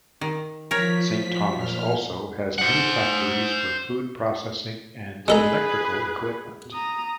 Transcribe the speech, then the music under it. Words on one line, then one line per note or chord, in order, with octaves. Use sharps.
Saint Thomas also has many factories for food processing and electrical equipment.
D#3
F3 A#4 C#5 B6
A#2 F6
C5 F#5
G#3 G#4 A4 B4 A#5
A#5 D#6